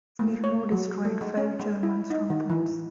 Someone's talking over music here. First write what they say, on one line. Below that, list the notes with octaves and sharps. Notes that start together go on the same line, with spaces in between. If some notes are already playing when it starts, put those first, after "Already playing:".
Smirnov destroyed five German strongpoints.
A#3
C#5
F#3
A3
G#3
C#4
G#3
E4
D#4
D#3
E3